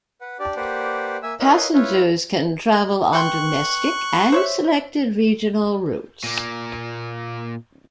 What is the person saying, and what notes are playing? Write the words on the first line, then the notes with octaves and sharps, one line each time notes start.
Passengers can travel on domestic and selected regional routes.
B4 F#5
D4 G4 D5
A#3 G4 B4 C5 D5 F#5
A#3 E5 G#5 E6
E4 A#4 B4 C#5 D#5 F5
E4 F4 B4 C#5
B2 G5 C6 C#6 F#6
C5 C#5 E5
A#2 A#3